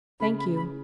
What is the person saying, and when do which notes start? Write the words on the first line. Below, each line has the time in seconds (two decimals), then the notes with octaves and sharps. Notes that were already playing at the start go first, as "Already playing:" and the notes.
Thank you.
0.20 C#3 B5
0.39 B5
0.56 B5